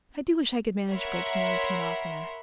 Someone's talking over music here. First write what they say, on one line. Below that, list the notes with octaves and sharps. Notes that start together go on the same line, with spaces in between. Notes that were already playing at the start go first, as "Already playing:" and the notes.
I do wish I could manage breaks in the routine oftener.
A#4 C#5 E5 F#5 B5 C6